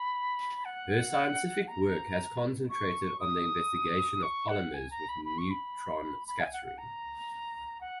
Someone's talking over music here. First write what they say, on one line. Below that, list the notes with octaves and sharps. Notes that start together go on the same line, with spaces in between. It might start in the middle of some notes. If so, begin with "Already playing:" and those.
Her scientific work has concentrated on the investigation of polymers with neutron scattering.
Already playing: B5
F#5
A#5
C#6
D#6
C#6
F#5
G#5
A#5
B5
B5
C#6
B5
B5
G#5
F#5
F#5
A#5
F#5